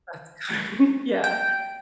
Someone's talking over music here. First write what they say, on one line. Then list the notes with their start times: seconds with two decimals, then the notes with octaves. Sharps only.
that's good, yeah,
1.24 G5